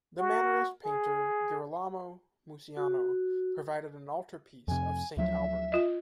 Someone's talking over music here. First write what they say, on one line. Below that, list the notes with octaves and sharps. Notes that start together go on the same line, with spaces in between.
The Mannerist painter Girolamo Muziano provided an altarpiece of "Saint Albert".
F#4
G#4
F#4
F2 C3 G#5
D2 F3 F#3 E5
F4 D#5